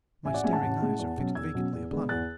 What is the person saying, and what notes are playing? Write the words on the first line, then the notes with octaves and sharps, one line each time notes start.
My staring eyes are fixed vacantly upon him.
A1 E5 G#5
D5 F#5
A2 G#3 C#4 E5 G#5
F#5 A5
A1
A2 G#3 C#4
E2
B2 F#3 C#4
E2 E6 G#6
B2 F#3 C#4
E2
D3 G#3 B3
E2 F#6 A6